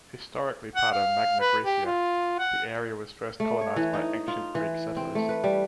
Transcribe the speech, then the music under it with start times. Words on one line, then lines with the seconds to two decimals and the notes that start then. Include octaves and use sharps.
Historically part of Magna Graecia, the area was first colonised by ancient Greek settlers.
0.76 F#5
0.92 F5
1.40 B4
1.64 G4
1.86 F4
2.39 F#5
3.40 A3
3.61 C#5
3.76 E3
3.94 D#4
4.28 F4
4.55 E3
4.97 C4
5.15 A3
5.29 B4
5.44 G3